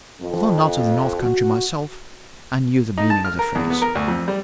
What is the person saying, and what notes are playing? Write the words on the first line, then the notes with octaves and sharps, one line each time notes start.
Although not of the north country myself, I knew the meaning of the phrase.
F2
F#4
D#4
A5
F6
A#4
E2
B3
A#4
D2
F2
G3